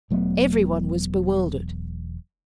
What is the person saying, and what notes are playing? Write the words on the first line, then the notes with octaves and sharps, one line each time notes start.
Everybody was bewildered.
E1 F#3 A3 B3